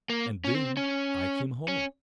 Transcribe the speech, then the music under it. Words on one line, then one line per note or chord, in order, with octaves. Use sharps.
And then I came home.
A#3
C#4
C4
C#4
C#4